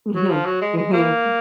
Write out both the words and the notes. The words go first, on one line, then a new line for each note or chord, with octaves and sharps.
Mhm. Mhm. Mm.
F#3
F3
F#3
G#3
G#3
A#3